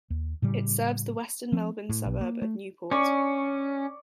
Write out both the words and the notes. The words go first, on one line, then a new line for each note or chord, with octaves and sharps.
It serves the western Melbourne suburb of Newport.
D#2
A2 C#3 G3
F3 C4
A2
B1
A#3
A3
C#4 D5 C#6